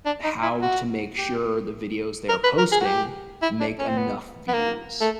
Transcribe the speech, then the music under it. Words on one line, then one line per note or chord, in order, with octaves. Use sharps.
how to make sure the videos they're posting make enough views,
D4
D#4
E4
F#4
G4
A#4
B4
A#4
G#4
F#4
G4
E4
D4
C#4
C4
B3
B3
A#3
A3